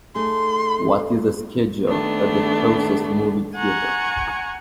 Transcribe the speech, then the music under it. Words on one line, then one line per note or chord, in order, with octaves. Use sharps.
What is the schedule at the closest movie theatre?
A3 D#4 G#4 C6
D#3 A3 B3 D4
F#5 G#5 A#5 C#6